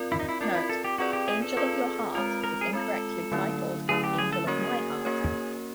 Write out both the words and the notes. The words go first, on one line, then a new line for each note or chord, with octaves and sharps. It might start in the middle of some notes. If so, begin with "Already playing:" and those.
Note: "Angel of Your Heart" is incorrectly titled "Angel of My Heart".
Already playing: C4 F4 A#4 D5
E4
D#4
E4
C4 D4 F4 A#4 D5
E4
A4
G4
C4 F4 F#4 G#4 B4 D5
G4
G#4
A4
C4 F4 G#4 B4 D5
G#3 C4 F4 A#4
A#4
G#4
G#3 C4 F4 A4
D3 F#3 A3 C#4 E4
D3 F#3 A3 C#4 E4 G#4
G4
G#4
A4
A#3 C#4 F#4 G#4 A#4 C#5
A#3 C#4 F#4 A#4 C#5